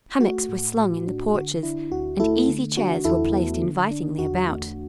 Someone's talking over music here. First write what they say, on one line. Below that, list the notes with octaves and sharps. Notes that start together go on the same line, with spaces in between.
Hammocks were slung in the porches and easy chairs were placed invitingly about.
A3 F#4
A2
A2
D4
D3 F#4
D4 E4
D2 F#4
A3 E4 A4
D3
D4 F#4
E2 E4 A4
B3
D3
D4
E2 F#4
A3